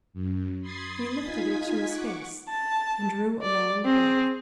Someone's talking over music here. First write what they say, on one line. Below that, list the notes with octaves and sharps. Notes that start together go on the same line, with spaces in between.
He lifted it to his face, and drew a long breath.
F#2
B5 C6 D#6 G#6 A6 C7
D#4 F4 G#5 G#6 B6
F#5 C#6 D6
A5
D5
C4 G#4